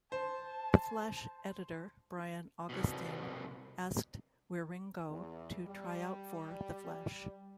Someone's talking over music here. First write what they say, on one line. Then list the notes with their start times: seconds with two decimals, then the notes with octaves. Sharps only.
"The Flash" editor Brian Augustyn asked Wieringo to try out for "The Flash".
0.12 C5 A5
2.69 C2 B2
5.10 E2
5.64 G3